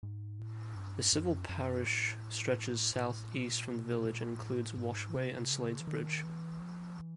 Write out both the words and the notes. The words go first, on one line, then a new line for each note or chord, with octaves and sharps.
The civil parish stretches southeast from the village and includes Washaway and Sladesbridge.
G#2
A2
G2
G2
F#2
F2
F#2
F#2
A2
A2
A#2
B2
A#2
A2
G#2
C3
C#3
E3
D#3
E3
F3
E3